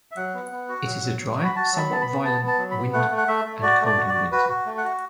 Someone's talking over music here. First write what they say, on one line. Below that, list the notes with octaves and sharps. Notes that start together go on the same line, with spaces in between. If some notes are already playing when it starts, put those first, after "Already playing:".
It is a dry, somewhat violent wind and cold in winter.
E5
F#3 F#5
B3
B3
F#4
F#3
F#3
F#3
F#4
B5
F#4 A5
F#3 A5
B5
B3 A5
B5
B3
B3 A5
B3
A5
F#3
B5
B3
A3 F#5
A3
F#5
A3 E5
A3
F#4 D5
A3 D5
F#4
D5
F#4
F#4 B4
F#4
A3
F#5
F#4